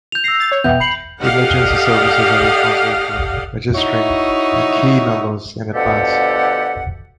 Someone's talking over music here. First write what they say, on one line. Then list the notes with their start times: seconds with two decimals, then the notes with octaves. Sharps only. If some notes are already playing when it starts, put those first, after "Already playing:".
The emergency services are responsible for registering their key numbers in advance.
0.12 G6 F7
0.24 E6 A#6 C7
0.40 A6
0.52 C#5
0.64 E2 B2 B3 E5 G5 G6
0.80 B5 C7 C#7 F#7
1.21 G4 A4 D5 D#5 F5 F#5
3.75 D#4 E4 F#4 C#5 E5
5.74 D2 B2 F3 G4 A4 F#5